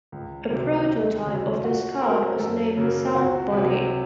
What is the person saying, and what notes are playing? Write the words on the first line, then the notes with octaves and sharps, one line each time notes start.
A prototype of this card was named "Sound Buddy".
C#2
C3 D#3 F#3
D#2
C#3 F#3 A3
A#2 F#4
F#3 A3 C4 A#4
F#2 A4
C#3 F#3 A#3
C#2 F#4
C3 F#3